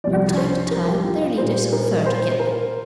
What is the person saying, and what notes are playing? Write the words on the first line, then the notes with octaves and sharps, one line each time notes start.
From time to time their leaders conferred together.
C2 C3 F3 D5
C5
A#4
G4
F4
F4
A#2 G3 A#3 C5
A#4
C5
C5
A#4